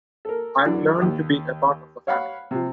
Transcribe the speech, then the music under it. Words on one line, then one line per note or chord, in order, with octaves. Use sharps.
I've learnt to be a part of the family.
A4 A#4
F#2 E3 F#3 D4 D5
D#2
C#5 F5 F#5 B5
C3 F3